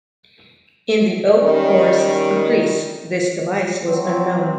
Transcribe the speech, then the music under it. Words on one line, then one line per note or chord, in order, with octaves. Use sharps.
In the oak forests of Greece this device was unknown.
D#3 G3 C#4
F#3 C4